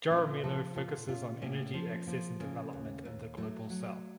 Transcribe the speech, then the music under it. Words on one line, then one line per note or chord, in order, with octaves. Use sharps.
Jaramillo focuses on energy access and development in the Global South.
A#2 C#4 F4
F3 F4 A4
A#2 F4 A4
A#2 C#4 F4
A2 A#3 C#4
F3
F3 A#3
C#3 A#3
D#2
D#2
F#3 A3
F#3